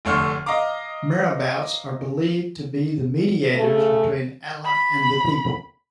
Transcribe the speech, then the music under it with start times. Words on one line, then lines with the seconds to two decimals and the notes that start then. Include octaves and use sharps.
Marabouts are believed to be the mediators between Allah and the people.
0.05 F1 D3 A3 C#5 C6 F6
0.46 D#5 F5 A#5 D6
3.53 C#3 A3
4.65 B5